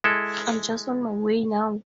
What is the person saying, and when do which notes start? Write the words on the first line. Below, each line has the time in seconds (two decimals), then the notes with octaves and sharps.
I'm just on my way now.
0.04 G#3 E4 A4